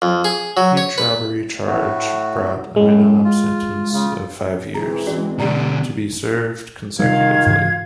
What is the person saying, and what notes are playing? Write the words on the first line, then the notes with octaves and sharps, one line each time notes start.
Each robbery charge brought a minimum sentence of five years, to be served consecutively.
F2
G#4
F#3
C#5
B4
A2 A3 F#4
F#2 A2 G#3
F4
C#3 F4
E3 G#3 C4 G#4 A#5
C#4 F#4 D5
B2 D3 G4 D5 A#5
C3 D#3 G3 F4 F5 G#6
G#2 C#3 E3